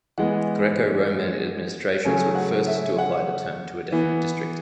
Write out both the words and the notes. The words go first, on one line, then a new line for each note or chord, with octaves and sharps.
Greco-Roman administrations were the first to apply the term to a definite district.
E3 G#3 B3 F#5
C#3 F#3 A3 C#4 G#5
F#5
E5
F#5
E3 B3